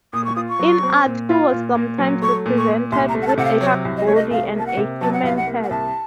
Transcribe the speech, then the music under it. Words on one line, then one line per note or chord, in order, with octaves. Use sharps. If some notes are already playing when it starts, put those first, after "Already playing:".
In art he was sometimes represented with a shark's body and a human head.
A#2 D#6
C#6
F4 D#6
C#6
F#3
C4
A#2
F4
A#2
A#2
F#3
A3 C#6
A#2
C#6
A#2
C2 C6
A#5
A3
F#5
A5
C3 F#5
F5
F#3 C#5
C2
D#5
A3 C#5
D#5
C2 F5
A#3 A5
F#5
C3
F#3 A5
F#5
C2 F5
F#5
A#3
F#5
C2 A5